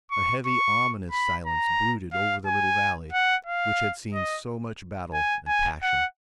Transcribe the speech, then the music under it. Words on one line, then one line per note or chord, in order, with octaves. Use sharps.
A heavy, ominous silence brooded over the little valley which had seen so much battle and passion.
C#6
C#6
B5
A#5
F5
G#5
F#5
F5
D#5
G#5
G#5
F#5